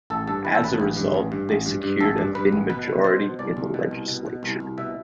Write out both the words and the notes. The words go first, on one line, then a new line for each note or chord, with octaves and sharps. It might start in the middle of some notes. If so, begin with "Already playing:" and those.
As a result, they secured a thin majority in the legislature.
A1 A4
G2 A4
E3 B4
A4
A1 B4
A1
G2
A1
G2
A1
G2
G2
A1 A4
G2
G2 B4
A1
B2 B4
B2
B2 C5
B2
C2 D5
C2
B2
C2
B2
B2
C2
C2
B2 E5